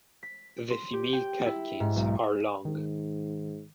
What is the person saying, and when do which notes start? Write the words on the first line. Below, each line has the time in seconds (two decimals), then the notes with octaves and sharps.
The female catkins are long.
0.23 B6
0.70 C6
0.93 G4
1.13 G5
1.46 E4
1.80 G#2
1.96 B1
2.65 G#2 D#3